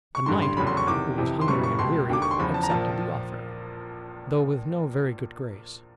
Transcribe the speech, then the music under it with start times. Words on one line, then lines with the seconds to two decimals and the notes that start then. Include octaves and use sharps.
The knight, who was hungry and weary, accepted the offer, though with no very good grace.
0.15 C#6
0.26 A1 G2 D3 C6
0.42 C6
0.57 F1 E2 C#3 F#3 B5
0.67 C6
0.77 C#6
0.87 E2 C3 D#3 D6
1.18 F2 C3 E3
1.41 C6
1.48 F#1 F#2 C#3 E3 G3 C#6
1.64 C#6
1.79 C#2 B2 G3 C6
2.08 E1 D#2 D3 D6
2.22 C#6
2.31 C6
2.39 E2 C#3 F3 B5
2.54 A5
2.63 A#5
2.69 A#1 A#2 F3 A5